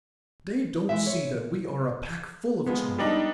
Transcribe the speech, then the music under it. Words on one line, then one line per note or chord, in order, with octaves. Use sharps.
They don't see that we are a pack full of charm.
E3 G#3 E5
C#5
F3 G#3 B3
G3 D4 D#4